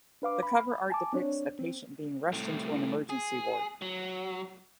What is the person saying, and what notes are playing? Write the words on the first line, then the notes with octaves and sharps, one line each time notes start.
The cover-art depicts a patient being rushed into an emergency ward.
D4 B4 F5 D6
B5
G#5 A5 D6
C4 D4 C#5
C4
C2 A2
G#4
F#3